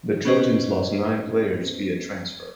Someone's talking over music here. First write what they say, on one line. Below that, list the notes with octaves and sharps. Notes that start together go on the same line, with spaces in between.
The Trojans lost nine players via transfer.
B3 C#4 G4 B4 C5 D#5